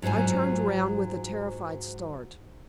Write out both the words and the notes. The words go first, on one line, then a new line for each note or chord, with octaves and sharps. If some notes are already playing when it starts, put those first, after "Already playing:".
I turned round with a terrified start.
G#2 F#3 F4 C5 G#5